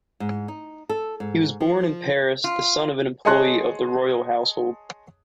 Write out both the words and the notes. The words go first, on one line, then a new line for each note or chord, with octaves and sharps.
He was born in Paris, the son of an employee of the royal household.
G#2
D#4
A4
G#2
F3
F4
G#4 C#5 D#5 A5 C6 F#6